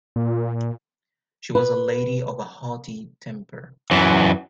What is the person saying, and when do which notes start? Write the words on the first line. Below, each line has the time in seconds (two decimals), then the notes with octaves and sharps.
She was a lady of a haughty temper.
0.16 A#2
1.55 B4
3.91 F#2 E3